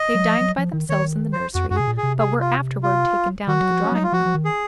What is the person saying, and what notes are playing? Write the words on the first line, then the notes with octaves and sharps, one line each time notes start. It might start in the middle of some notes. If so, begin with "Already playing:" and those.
They dined by themselves in the nursery, but were afterward taken down to the drawing-room.
Already playing: D#5
F#3
F3
F#3
F3
D#3
D#3 C#5
C5
F2 F#4
F#2 F#4
C3 G#4
A#2
G#4
C3
G#4
F4
F4
D#3 F#4
F#3
F3
C#4
F#3 D#4
F4
F3 F#4
F3
D#3
G#4